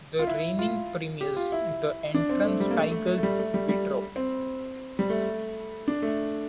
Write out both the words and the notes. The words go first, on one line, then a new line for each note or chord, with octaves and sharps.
The reigning premiers, The Entrance Tigers withdrew.
F4
E4
F4
G4
F4
E4
D4
C4
A3
G3
A#3
A3
A3
A3
A3
G3
A3
G3
G3
C4
G3
A3
D4
A3